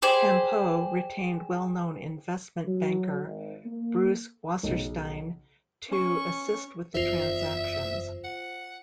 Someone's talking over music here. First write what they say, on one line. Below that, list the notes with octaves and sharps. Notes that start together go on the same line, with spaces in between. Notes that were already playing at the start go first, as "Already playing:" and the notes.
Campeau retained well-known investment banker Bruce Wasserstein to assist with the transactions.
G4 G#4 C5 D5
F#3
G#1
A#3
B1 C#3
C#4 C#6
F#1 E2 F4 C5 E5
F#5